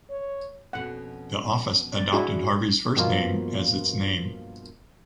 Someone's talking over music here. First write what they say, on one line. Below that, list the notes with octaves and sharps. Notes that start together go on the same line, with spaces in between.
The office adopted Harvey’s first name as its name.
C#5
F2 B2 C#4 F#5
D5
D4 E4 F#4 G#4
G2 B2 F3 A#3 F4